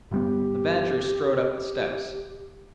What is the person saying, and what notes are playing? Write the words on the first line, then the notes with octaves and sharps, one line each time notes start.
The Badger strode up the steps.
G1 G3 B3 G4